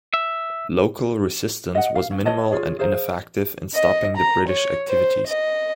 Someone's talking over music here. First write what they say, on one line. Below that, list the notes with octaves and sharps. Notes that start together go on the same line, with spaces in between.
Local resistance was minimal and ineffective in stopping the British activities.
E5
D#5 F#5
F5
C#4
E4 C#5 D#5 A5
F4 G#4 C#5
G#4 C5 F5 A#5
D#5
A#5
C#5
C5
D#5